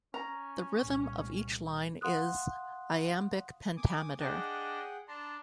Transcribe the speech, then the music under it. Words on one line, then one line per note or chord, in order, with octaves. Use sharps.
The rhythm of each line is iambic pentameter.
C#4 A#5
C2 A#2
F5 F#5 C6 D#6 F#6
G#5 D6 D#6
D4 G#4 D#5 F#5 G5
D4 A5 A#5 C6